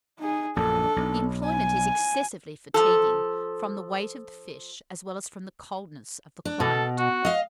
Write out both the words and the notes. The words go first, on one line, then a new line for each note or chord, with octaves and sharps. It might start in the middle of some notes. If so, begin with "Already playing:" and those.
The employment is excessively fatiguing, from the weight of the fish as well as from the coldness of the climate.
D#4 G#4
A#1 F#2 D4 A4
B1
G#5
F3 A4
D4
B2 A4
F#4
D#5 F5